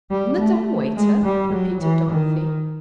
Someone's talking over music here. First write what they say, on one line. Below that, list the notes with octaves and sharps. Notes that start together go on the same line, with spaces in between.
"On the dumb waiter?" repeated Dorothy.
G3
A3
G#3
G3
F#3
E3
D#3